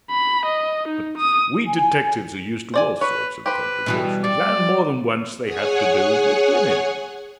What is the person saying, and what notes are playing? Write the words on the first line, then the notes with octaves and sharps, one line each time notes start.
But we detectives are used to all sorts of complications, and, more than once, they have to do with women.
B5
D#5
D#4
D#6
G#5
C5 D5 G#5
B4 C#5
G4 B4 C5
B2 E3 G3
G3 D5
G#4 C#5 F#5 G#5